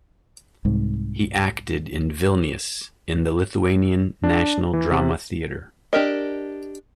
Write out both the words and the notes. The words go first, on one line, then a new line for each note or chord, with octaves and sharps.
He acted in Vilnius, in the Lithuanian National Drama Theatre.
C2 G#2
D4
E3
C3
D4 G4 A#4 D#5